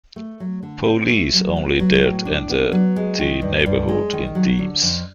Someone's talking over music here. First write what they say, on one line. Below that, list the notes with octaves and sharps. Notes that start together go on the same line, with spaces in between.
Police only dared enter the neighborhood in teams.
A3
F#3
D3
C4
A3
F#3
B3
F#3
A2
D4
B3
F#3
G#3
D#3
G2
G2
G#3
D#3
F#3
D3
F2